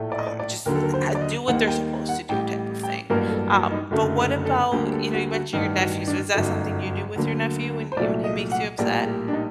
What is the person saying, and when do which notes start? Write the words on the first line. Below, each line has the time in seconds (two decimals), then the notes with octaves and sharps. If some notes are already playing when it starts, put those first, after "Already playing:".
um, just a a do what they're supposed to do type of thing, um, but what about, you know, you mentioned your nephew, so is that something you do with your nephew when when he makes you upset?
Already playing: A#1 A2 A3
0.12 D5
0.18 D#5
0.27 D5
0.40 D5
0.66 D#2 D3 F#3 A#4
0.75 A4
0.83 A#4
0.94 C5
1.15 D5
1.21 D#5
1.48 D#2 D#3 G3 A#3 F#5
1.68 G5
2.09 F#5
2.29 A1 A2 G3 G5
2.83 G5
3.10 A1 G2 F#3 A#3 A#4
3.30 A4
3.51 F#4
3.71 D#4
3.91 F#1 F#2 D3 A3
4.19 A#4
4.45 A4
4.72 D2 D3 G3 A#3 G4
4.93 A4
5.14 F#4
5.33 F#4
5.53 A1 G2 D#3 D#4
5.81 F#4
6.07 D4
6.34 G1 F#2 F#3 A3 D#4
7.16 D2 D3 F#3 A#3
7.92 C5
7.97 C2 A#2 F#3 A3 D5
8.24 D#5
8.52 F#5
8.78 A#1 A2 G3 A#3 D5
9.05 G4
9.28 D4
9.33 D#4